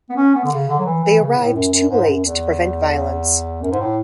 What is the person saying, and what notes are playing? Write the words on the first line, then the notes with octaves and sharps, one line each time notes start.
They arrived too late to prevent violence.
B3
C#4
B3
D3
C#3
D3
F#3
E3
E3
C#3
A2
F#2
F#2
G#2
F#2
E2
F#2
G#2
A2